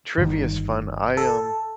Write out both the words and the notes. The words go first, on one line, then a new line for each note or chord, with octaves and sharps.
Trivia's fun. I, um
G1 D#3
A4